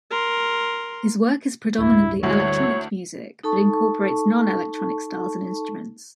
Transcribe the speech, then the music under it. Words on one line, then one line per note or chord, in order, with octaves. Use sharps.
His work is predominantly electronic music but incorporates non-electronic styles and instruments.
A#4 C6
D1 G2 E4
D2 D3 G3 E4 C#5
D#4 A4 A5 C#6